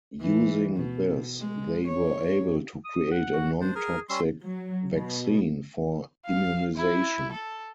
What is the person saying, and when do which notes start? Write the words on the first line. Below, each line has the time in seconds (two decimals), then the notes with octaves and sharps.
Using this, they were able to create a non-toxic vaccine for immunization.
0.21 E3
0.77 B2
1.40 G#3
1.87 C#5
2.85 D#6
3.11 F#5
3.33 F#4
3.61 D4 C5
3.75 G#4 A#4
4.10 G3 C#4 C6 E6
4.43 F#3
4.94 B2
6.26 F5
6.76 E4
7.32 A4